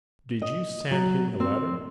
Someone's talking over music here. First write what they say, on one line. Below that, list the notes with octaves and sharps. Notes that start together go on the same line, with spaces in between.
"Did you send him a letter?"
D#5
F#3
C4